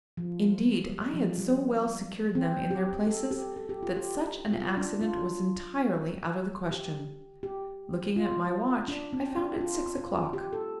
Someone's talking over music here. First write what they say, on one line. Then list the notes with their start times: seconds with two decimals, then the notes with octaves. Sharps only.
Indeed, I had so well secured them in their places, that such an accident was entirely out of the question. Looking at my watch, I found it six o'clock.
0.17 F3
0.89 G3
1.14 F3
1.38 G3
2.35 C4
2.71 G4
3.07 A4
3.31 G4
3.56 A4
3.69 G4
3.83 F4
3.97 G4
4.52 F4
4.77 D4
5.01 F4
6.71 G4
7.43 G4
8.16 F4
8.88 D4
9.13 C4
9.37 D4
9.61 F4
9.97 F4
10.33 G4
10.53 A4